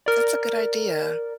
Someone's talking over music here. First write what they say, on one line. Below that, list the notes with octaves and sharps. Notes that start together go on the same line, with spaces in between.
That's a good idea.
A#4 D5